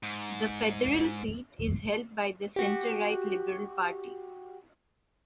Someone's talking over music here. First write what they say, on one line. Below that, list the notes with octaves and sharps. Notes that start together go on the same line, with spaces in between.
The federal seat is held by the centre-right Liberal Party.
G#2
F#4 G4